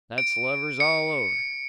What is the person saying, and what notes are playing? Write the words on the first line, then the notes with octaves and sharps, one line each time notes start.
That's lovers all over.
D7
C#7